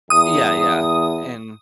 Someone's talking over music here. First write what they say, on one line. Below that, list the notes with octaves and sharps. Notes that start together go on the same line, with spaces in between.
Yeah, yeah, and
E2 D#6